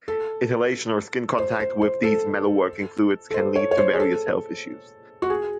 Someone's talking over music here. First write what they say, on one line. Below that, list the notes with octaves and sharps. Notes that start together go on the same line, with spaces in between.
Inhalation or skin contact with these metalworking fluids can lead to various health issues.
A4
C5
C5
C5
A4
A4
C5
C#5
C#5
C5
G#4
A4
F#4
G#4